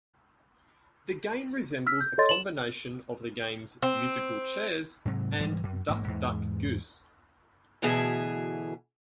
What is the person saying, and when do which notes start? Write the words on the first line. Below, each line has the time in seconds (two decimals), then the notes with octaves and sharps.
The game resembles a combination of the games Musical Chairs and Duck Duck Goose.
1.87 E6 F6 B6
2.00 G6
2.18 A4 C#5 D#5 C6 A6
2.29 E7 F#7
3.83 C4
5.05 G#2 C3 F#3
5.40 G#2 E3 G3 G#3
5.63 F#2
5.88 A1 G#2 A#3
6.08 E2 G#2
7.82 D2 B2 E3 G#4 E5 A5